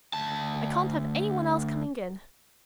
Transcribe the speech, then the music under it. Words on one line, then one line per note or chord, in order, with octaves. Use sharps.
I can't have any one else coming in.
D2 A5